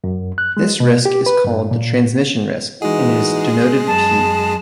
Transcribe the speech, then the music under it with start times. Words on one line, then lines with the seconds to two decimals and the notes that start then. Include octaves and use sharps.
This risk is called the transmission risk and is denoted "p".
0.04 F#2
0.38 F#6
0.57 G#3
0.80 B2
1.05 G4
1.26 B4
1.44 G2
1.71 A#2
2.82 E3 G#3 D#4 F#4 G#4
3.88 F#2 A5